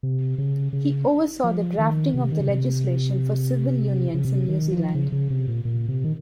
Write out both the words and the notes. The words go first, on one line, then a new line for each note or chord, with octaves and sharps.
He oversaw the drafting of the legislation for civil unions in New Zealand.
C3
C#3
C#3
F3
D#3
C3
D#3
C#3
C3
C#3
C3
D#3
F3
C#3
C#3
C3
A#2
A#2
C3
D#3